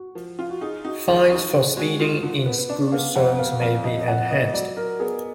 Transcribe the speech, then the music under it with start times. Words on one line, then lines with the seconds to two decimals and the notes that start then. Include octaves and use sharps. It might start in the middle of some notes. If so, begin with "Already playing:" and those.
Fines for speeding in school zones may be enhanced.
Already playing: F#4
0.15 F3
0.39 F4
0.50 F#4
0.61 D#4 G#4
0.85 D#4 F#4
1.08 D#2 G#4
1.31 D#4 F#4
1.54 D3 G#4
1.76 G#3 F#4
1.99 D#4 F4
2.23 D3 F4
2.46 B3 B4
2.69 D4 D5
2.92 B3 F5
3.15 F2 F#5
3.38 B3 F5
3.61 F2 F5
3.84 F2 D#5
4.08 F2 F#5
4.30 B3 D#5
4.54 F#3 D5
4.76 F#3 A#4
5.00 B3 G#4